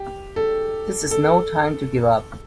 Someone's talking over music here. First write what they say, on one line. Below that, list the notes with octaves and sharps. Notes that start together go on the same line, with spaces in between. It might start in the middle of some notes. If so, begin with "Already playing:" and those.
This is no time to give up!
Already playing: G4
A4
A4